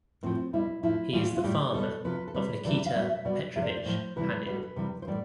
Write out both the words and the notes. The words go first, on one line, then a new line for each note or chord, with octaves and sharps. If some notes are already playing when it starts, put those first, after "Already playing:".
He is the father of Nikita Petrovich Panin.
A2 F3 C4
B2 G3 E4
A2 F3 E4
A2 E3 G3 F4
F4
A2 G3 G4
B2 G3 A4
C3 F3 B4
A4
C3 G3 B4
C3 E3 G3 D5
F5
B2 G3 E5
E5
B2 G3 D5
C3 F3 E5
D5
C5
D5
A2 F3 C5
C3 E3 G3 B4
B2 G3 B4
A4
B4
C3 E3 G3
C5
A2 E3 G3 D5